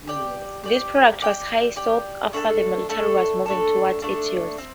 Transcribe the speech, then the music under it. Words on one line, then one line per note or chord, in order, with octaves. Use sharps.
This product was high sought after as the military was moving towards its use.
G4 D5 G5
G4 D5 G5
G4 D5 G5
G4 D5 G5
A3 D4 A4
A3 D4 A4
A3 D4 A4
A3 D4 A4
C4